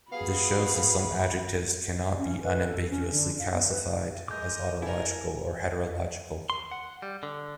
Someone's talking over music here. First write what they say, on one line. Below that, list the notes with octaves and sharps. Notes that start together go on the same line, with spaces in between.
This shows that some adjectives cannot be unambiguously classified as autological or heterological.
F#3 B3 F#4 G#4 F5 B5
C#4
B4
A4
C#4
D3
F5
B3
B4
G#3 A#4 D#5 D6 G6
E4 A4 A#4 G#5
C6
F#5
G3
D3